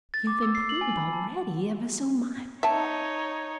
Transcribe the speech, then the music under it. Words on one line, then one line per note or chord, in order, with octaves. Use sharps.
You've improved already, ever so much.
A6
D6
E6
C7
F#7
G#5
B5
A5
D#4 C#5 E5 A5